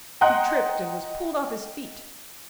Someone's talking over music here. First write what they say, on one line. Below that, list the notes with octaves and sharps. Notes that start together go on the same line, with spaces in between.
He tripped and was pulled off his feet.
D#5 F#5 G5 A#5 C6 F#6